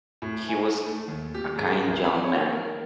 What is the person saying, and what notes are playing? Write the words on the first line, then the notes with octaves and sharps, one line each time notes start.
He was a kind young man.
A2
G#5
A3
D#2
G4
G#2
A1
B5
C#5
A#4